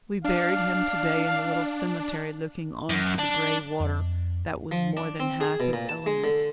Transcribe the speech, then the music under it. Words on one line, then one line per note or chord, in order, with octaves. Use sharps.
We buried him to-day in the little cemetery looking on to the grey water that was more than half his element.
D4 F5
F#2
D4
F2
F3
D4
C4
G#4
B2
A#2
A5
G#3
D3